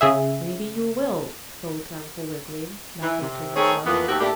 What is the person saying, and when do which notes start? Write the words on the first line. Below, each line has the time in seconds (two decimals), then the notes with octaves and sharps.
"Maybe you will," thought Uncle Wiggily, laughing to himself.
0.01 C#3 G#4 E5
3.03 E3
3.22 C3
3.56 D#3 A3 C4 G#4 C#5
3.86 F2 E3 A#3 B3
4.08 D#2 A3 C4 F#4 G4
4.20 A2 A3 A#3 D4 E4 G4